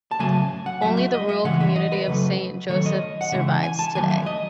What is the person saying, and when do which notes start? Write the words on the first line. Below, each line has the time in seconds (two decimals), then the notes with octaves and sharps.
Only the rural community of Saint Joseph survives today.
0.11 A5
0.19 C#3 F#3 A3 G#5
0.66 F#5
0.82 A2 F#3 A3 E5
0.97 E5
1.14 D#5
1.29 E5
1.44 C#3 E3 G#3 F#5
1.61 E5
1.76 D#5
1.92 B4
2.08 C#3 F#3 A3
2.69 D#3 F#3 A3 C#5
2.86 D#5
3.21 F#5
3.32 C#3 E3 G#3 E5
3.63 G#5
3.79 A5
3.95 D#3 F#3 A3 G#5
4.10 E5
4.26 D#5